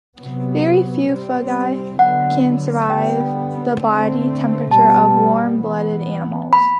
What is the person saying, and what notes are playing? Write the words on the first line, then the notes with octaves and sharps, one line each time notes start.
Very few fungi can survive the body temperatures of warm-blooded animals.
C3 F#3 B3
C3 G3 C4
D3 F#3 B3 F#5
D3 G3 B3 G5
D3 A3 C4
B2 G3 B3 A5
E3 B3
B5